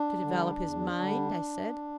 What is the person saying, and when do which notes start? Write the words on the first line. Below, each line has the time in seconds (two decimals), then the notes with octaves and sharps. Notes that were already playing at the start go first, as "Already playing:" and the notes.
"To develop his mind," I said.
Already playing: D4
0.21 D3 G3
0.59 E2
0.98 D3 G3